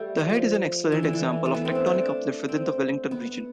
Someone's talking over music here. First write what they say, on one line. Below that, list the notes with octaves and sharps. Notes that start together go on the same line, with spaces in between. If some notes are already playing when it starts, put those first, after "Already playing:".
The head is an excellent example of tectonic uplift within the Wellington region.
Already playing: G3 A3 A4
F3
E3
D3
E3
A3
B3
C4
D4
D4
C4
B3